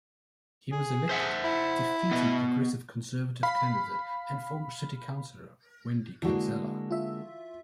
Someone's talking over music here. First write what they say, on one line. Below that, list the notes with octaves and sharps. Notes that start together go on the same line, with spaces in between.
He was elected, defeating Progressive Conservative candidate and former city councillor Wendy Kinsella.
G#4
C5 E5 F#5
E4
B3 D#5
F5 B5
D3 E3 G#3 A#3 F#4
F4 E5